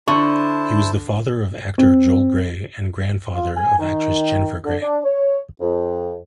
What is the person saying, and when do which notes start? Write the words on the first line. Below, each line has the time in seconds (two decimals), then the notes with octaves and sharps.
He was the father of actor Joel Grey and grandfather of actress Jennifer Grey.
0.08 D3 D4 E4 C5 A5 C#6
1.78 C4
3.34 F4
3.57 G#5
3.80 D#3
4.65 D3
4.82 D4
5.05 C#5
5.61 F2